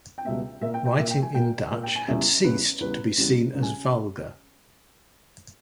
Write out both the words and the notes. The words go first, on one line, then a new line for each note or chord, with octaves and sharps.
Writing in Dutch had ceased to be seen as vulgar.
G5
C#2 B2 G3 B3 E5
A#2 A#3 E5
G5
G5
A#2 A#3 E5
G5
G#5
A#2 A#3 G5
A#2 A#3
G5
G#5
E2 C#3 G3 B3 E5
E2 C#3 G3 B3 B4
E2 C#3 G3 B3 B4
E2 C#3 G3 B3
C#2 C#3 G3
G#5